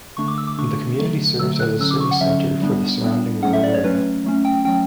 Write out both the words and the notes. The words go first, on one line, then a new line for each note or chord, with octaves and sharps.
The community serves as a service centre for the surrounding rural area.
D3 A3 D4 C#6
D6
E6
D6
D3 A3 D4 C#6
D3 F#3 A3
D3 F#3 A3 E6
F#6
D3 F#3 C#4 E6
D6
C#6
F#5
D3 F#3 C#4 E5
G3 B3 D4
G3 B3 D4
F#3 A3 C#4 F#5
E5
D5
C#5
F#3 A3 C#4 B4
F#3 A3 C#4
G5
F#3 A3 C#4 G5